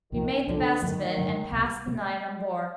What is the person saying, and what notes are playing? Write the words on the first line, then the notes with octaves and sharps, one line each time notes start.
We made the best of it, and passed the night on board.
C2 A#2 D#3 F3
C2 A#2 D3 F3
G2 D3 D#3 F#3 A3
G2 D3 F#3 A3
C2 B2 G3
B2 G3